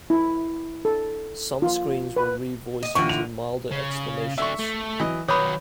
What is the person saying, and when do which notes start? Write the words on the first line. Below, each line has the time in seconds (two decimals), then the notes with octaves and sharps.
Some screams were re-voiced using milder exclamations.
0.10 E4
0.85 A4
1.62 F4
2.17 B4
2.83 D#5
2.95 D3 E3 F4 C#6
3.09 F7
3.72 C#3
4.38 A3 D4 E5 C#6
4.59 A3
5.00 E3 F#3 D#5
5.28 D#3 F#3 B4 C#5 B5 D6 D#6